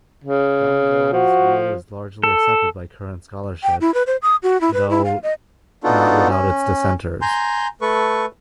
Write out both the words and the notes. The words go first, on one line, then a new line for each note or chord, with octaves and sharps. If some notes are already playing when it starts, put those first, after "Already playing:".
Dumville's view is largely accepted by current scholarship, though not without its dissenters.
C#3
F3 F#4
A4
G5
E4
B4
C5
D#6
F#4
E4
B4
E4
F5
D#5
B3 D4 D#4 F4 F#4 A4
C#4
G#5 A#5 C6 G6
A3 A4 B4 C#6